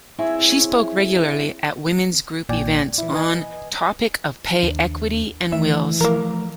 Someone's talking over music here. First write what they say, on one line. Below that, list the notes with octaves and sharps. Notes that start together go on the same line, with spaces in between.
She spoke regularly at women's group events on topic of pay equity and wills.
C4 E4 G#4 C#5 E5
A#1 A#2 D#3 D5 G5 G#5
E3 E4
B4 D#5 G#5
D#2 D4
D#3 E3 A3 E5
F3 A3 A#3 A#4